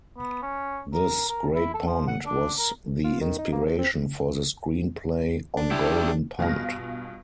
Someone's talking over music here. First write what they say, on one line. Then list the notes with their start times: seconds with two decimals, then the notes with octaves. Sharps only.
Thus Great Pond was the inspiration for the screen play "On Golden Pond".
0.17 B3
0.42 C#4
0.93 A#4
1.29 A#4
1.55 E4
1.74 A4
1.87 F3
2.07 F#5
2.26 D4
2.59 A#4
3.04 F4
3.21 D#3
3.39 D#4
3.53 A#3
3.66 E2
3.78 C4
5.57 D4
5.71 E4 G4
6.39 G2 B2 F4 G#5 F6 A#6